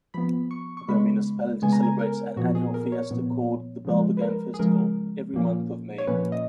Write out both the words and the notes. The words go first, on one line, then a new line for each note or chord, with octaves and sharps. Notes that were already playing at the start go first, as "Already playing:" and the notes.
The municipality celebrates an annual fiesta called "The Balbagan Festival" every month of May.
F3 B3 B5
C#6
C#6
C#3 G#3 B3 B5
C#3 G#3 B3 G#5
A#5
G#5
A#4
A#2 F3 B3 F#4
G#4
A#4
C#5
A#2 F3 B3
C#3 F3 G#3
B4
A#4
G#4
C#3 F3 G#3 A#4
A#2 F3 A#3 C#4
C#5
A#2 F3 A#3 C#4 B4
D#5